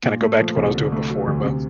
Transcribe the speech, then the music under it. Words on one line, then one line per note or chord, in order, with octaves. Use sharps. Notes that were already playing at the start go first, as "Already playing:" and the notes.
kinda go back to what I was doing before, but
A#2
A3
F3
C2
D3
A3
F#3
D2
C3